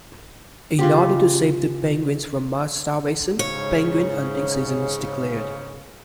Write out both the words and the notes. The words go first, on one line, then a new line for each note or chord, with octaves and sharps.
In order to save the penguins from mass starvation, penguin hunting season is declared.
C#3 F4 G4
G#2 C#3 C#5